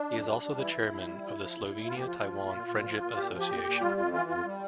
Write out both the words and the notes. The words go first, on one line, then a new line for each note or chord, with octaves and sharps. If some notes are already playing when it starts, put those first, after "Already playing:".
He is also the chairman of the Slovenia-Taiwan Friendship Association.
Already playing: D4
F2
G3
G3
E3 E4
F2
F2
G3
F3
F3
A#2
A#2
A#2 F4
G4
F3 F4
F3
A#2
A#2
A#2
F3
A#2
A#2 G4
F3
G4
A#2
A#2
G3 F4
F2 F4
E3 F4
F2 F4
G3